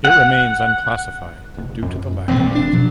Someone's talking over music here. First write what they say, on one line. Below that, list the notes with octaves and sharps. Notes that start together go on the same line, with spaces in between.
It remains unclassified due to the lack of data.
F#5
F#1
F#2
E1 A#1 A2 C4
F1 C4 D4
B2 F3 F#3